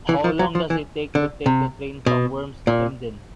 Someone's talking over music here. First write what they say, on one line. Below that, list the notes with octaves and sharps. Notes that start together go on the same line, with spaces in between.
How long does it take to take the train from Worms to Emden?
E3
F3
F#3
F3
E3
D3
C3
B2
A#2